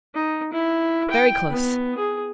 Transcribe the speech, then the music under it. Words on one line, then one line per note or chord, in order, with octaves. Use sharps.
Very close!
D#4
E4
G5
B3
G#4